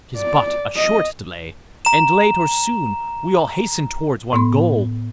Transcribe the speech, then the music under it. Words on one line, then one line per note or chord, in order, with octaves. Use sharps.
'Tis but a short delay, and late or soon we all hasten towards one goal.
D5
D#5
A#5 E7
A2 B3 C6